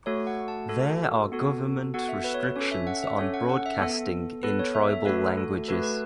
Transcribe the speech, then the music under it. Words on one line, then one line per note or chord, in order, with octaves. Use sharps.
There are government restrictions on broadcasting in tribal languages.
A3 F#4 A4 C#5
F#5
A5
A3 F#4 A4
B3 F#4 A4
B3 F#4 A4 F#5
E5
B4
C#5
B4
C#4 A4 C#5
E5
F#5
E5
C#4 A4 C#5
F#5
F#5
E5
B3 A4
B3 A4 B4
C#5
E5
E5
A3 F#4 A4 B4
A4
A3 F#4 A4 B4
B4